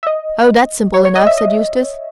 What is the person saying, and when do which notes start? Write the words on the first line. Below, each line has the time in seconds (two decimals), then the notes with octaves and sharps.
"Oh, that's simple enough," said Eustace.
0.03 E5
0.07 D#5
0.94 C#5
1.05 C#5
1.15 D#5
1.27 E5
1.38 D#5